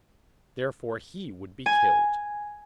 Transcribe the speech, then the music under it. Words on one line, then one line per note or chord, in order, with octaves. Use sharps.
Therefore he would be killed.
G#5